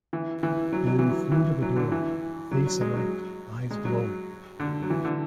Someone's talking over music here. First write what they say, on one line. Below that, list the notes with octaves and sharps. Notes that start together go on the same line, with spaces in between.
Ann flew to the door, face alight, eyes glowing.
E3
E3
F#3
F#3
E3
F#3
E3
F#3
D3
E3
F#3
F#3
G#3
F#3
G#3
F#3
D3
F#3
E3
D3